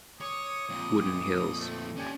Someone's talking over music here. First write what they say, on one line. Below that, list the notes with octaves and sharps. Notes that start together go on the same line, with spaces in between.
Wooden hills.
C#5 D6 D#6
F2 A#2
A3 C4
C#4 D4 G4 D5 G#5